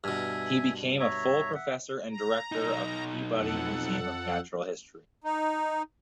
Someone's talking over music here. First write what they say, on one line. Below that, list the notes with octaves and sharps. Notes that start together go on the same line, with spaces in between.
He became a full professor and director of the Peabody Museum of Natural History.
G2 B2 E5 G#5
C#5 E5 A#5
E5 F#5
A#5
B1 D#4
F2 A4 F#5
D#4